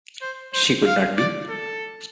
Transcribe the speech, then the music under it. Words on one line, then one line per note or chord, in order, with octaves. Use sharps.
She could not be.
C5
C5
F5
D5
A4